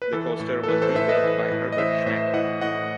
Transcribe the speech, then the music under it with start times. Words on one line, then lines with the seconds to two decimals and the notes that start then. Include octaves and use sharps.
The coaster was rebuilt by Herbert Schmeck.
0.02 B4
0.13 E3 A4
0.40 A2
0.63 A4
0.68 E3 B4
0.82 A4 C5
0.95 A2 C5 E5
1.09 B4 D#5
1.24 E3
1.51 A2
1.72 D#5
1.78 E3 C5 E5
2.06 A2 C5 E5
2.34 E3 D#5 F#5
2.61 A2 D#5 F#5